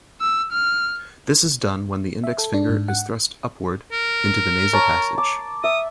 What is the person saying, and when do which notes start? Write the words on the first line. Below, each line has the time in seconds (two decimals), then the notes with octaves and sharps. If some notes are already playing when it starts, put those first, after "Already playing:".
This is done when the index finger is thrust upward into the nasal passage.
0.21 E6
0.52 F6
2.24 E5
2.38 A4
2.54 D4
2.69 G#2
2.88 F#5
3.92 A#4
4.73 C#5 A5 A#5
5.18 D6
5.64 E5 D#6